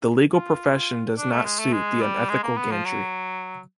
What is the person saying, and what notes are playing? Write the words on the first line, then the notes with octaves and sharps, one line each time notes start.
The legal profession does not suit the unethical Gantry.
F4
D4
A3
G#3
A3
G#3
G3
G#3
A#3
B3
F3
F#3